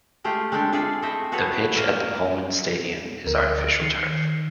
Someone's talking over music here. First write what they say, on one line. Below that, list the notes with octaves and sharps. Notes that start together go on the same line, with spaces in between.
The pitch at the Polman Stadion is artificial turf.
G#3 A3 F4 G4 G#4
G#3 C4 D4 G4 A4
F4 G#4 A4 D5 E5
A3 C4 E4 A4 D#5 E5
F#4 G#4 A4 B4 C#5
A#3 A#4 E5
D2 A#4
D#3 C7 C#7